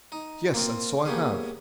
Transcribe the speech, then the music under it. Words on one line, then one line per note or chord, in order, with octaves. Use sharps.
Yes, and so I have.
D#4
A#3 C4 F4
A#3 B3 C#4 G4 G#4